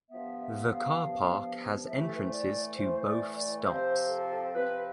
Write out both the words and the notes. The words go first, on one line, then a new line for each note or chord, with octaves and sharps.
The car park has entrances to both stops.
G2 F3 B3 E5
E5
F5
G2 F3 B3
A2 E3 A3 E5
G4
A4
B4
C5
D5
A2 E3 A3 C5
D5
D5
C3 F3 C4 C5
A4
C3 F3 C4 B4